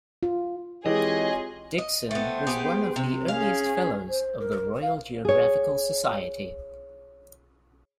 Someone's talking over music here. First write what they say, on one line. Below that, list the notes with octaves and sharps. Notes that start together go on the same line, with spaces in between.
Dickson was one of the earliest fellows of the Royal Geographical Society.
F4
E3 G#3 C4 F4 G4 G#4 C#5 D#5
D#5
A3 B3 C5 G5
B3 G4 G#4
C3
C#4 G#4 F5
C5
A#4
F5
G#4 C#5